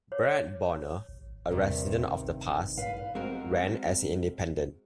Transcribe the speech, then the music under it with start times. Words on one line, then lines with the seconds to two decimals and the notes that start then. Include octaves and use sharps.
Brad Bodnar, a resident of The Pas, ran as an independent.
0.12 C#5
1.09 G#1
1.51 E2 G2 C3 D#3
2.08 G#1
2.77 G2 B4 F5
3.15 G#3 C4 F#4 A#4